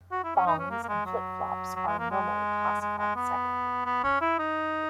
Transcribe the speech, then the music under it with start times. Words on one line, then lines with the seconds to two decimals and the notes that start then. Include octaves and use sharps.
Thongs and flip flops are normally classified separately.
0.11 F#4
0.23 E4
0.35 C#4
0.46 D#4
0.58 C#4
0.70 A#3
0.83 A#3
0.88 G#3
1.06 F#3
1.75 F#3
1.87 G#3
1.99 A#3
2.10 G#3
2.81 G#3
2.98 G#3
3.15 B3
3.85 B3
4.04 C#4
4.21 E4
4.39 D#4